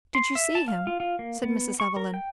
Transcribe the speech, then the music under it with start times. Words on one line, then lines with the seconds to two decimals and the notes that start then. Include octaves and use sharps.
"Did you see him?" said Mrs. Evelyn.
0.15 C6
0.35 E5
0.55 A5
0.68 F5
0.87 F4
1.00 F4
1.19 A#3
1.44 B3
1.80 C#6
1.96 A#4
2.14 G5